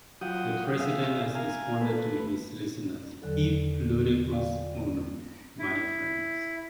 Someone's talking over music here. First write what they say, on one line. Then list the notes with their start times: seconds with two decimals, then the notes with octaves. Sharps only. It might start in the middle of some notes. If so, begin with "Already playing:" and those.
The President responded to his listeners, "E pluribus unum", my friends.
0.21 F#3 F4 F#5 G5 D#6
0.79 G#4 E5 F5
1.35 A#4 F5 G#5
1.81 A3 B4
3.22 E2 D3 F#3 A4
4.31 G#3 D5 F5 G5
5.59 E4